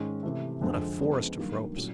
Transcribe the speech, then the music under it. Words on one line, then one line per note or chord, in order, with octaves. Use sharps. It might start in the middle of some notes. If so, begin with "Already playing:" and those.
What a forest of ropes!
Already playing: G#2 D#3 G#3 C#4
C3 E3 A3
F2 D3 F3 G#3
C#3 F3 G#3 B3 D4
G2 D#3 F#3 A#3
A#2 F#3 A3 C#4 E4